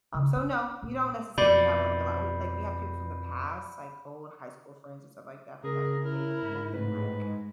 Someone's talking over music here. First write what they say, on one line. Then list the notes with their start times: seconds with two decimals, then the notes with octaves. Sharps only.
um, so no, we don't necessarily have, like, a lot, like, we have people from the past, like, old high school friends and stuff like that from back in the day, but nothing like
0.14 C#3
0.35 D#4
0.83 A#1
1.38 F2 B2 D5 B5 G6
5.64 C#3 G#4 A#4
6.05 E4 A#4
6.43 G#2
6.74 A2 B4
7.20 G#3